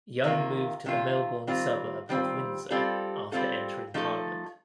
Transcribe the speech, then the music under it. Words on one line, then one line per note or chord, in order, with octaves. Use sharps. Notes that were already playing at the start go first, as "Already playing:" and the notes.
Young moved to the Melbourne suburb of Windsor after entering parliament.
C3 D#3 A#3 F4
C3 D#3 A#3 F4
D#3 G3 C4 F4
D#3 G3 C4 F4
G3 C4 F4 A4
G3 C4 F4 A4
F3 A3 D#4 A4